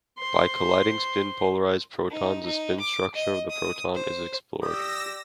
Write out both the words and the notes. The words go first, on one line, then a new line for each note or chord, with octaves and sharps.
By colliding spin-polarized protons, the spin structure of the proton is explored.
C5 C6
D#4
D#4
D6
D#5
D#6
C5
G4 D5 D#6 E6 A#6